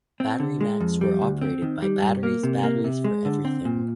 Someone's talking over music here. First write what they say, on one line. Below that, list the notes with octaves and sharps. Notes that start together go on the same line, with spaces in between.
BatteryMax were operated by Batteries Batteries for Everything.
C4
D3
G#3
F2
G3
D2
C4
D#3
G3
G2
A#3
C3
A#3
C3
G#3
D3
C4
A#2